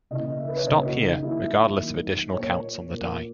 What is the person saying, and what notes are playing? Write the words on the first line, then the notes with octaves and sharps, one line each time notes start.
Stop here, regardless of additional counts on the die.
C#3 E3 A#3 D#5
E5
B4
C#5
C#3 E3 A#3 D#5
F#4
D#4
D#3 F#3 A#3 E4
D#3 F#3 A#3
A#2 A#3 C#5
A#2 A#3